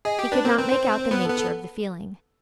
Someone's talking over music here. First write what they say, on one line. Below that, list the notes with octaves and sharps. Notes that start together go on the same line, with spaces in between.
He could not make out the nature of the feeling.
G#4 D#5
G4
D4 B4
C4 A#4
C4 B4
C5
C5
C5
B3 B4
A4
B3
A4